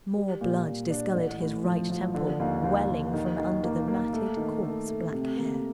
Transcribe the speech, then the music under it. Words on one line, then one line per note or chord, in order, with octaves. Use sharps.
More blood discoloured his right temple, welling from under the matted, coarse black hair.
G3
A#2
A#2
D4
A1
A2
F3
F3
D3
D#2
D#2
D#2
D#3
D#3
A#3
A#3
A3
D#3
A3
A3
C3
A#3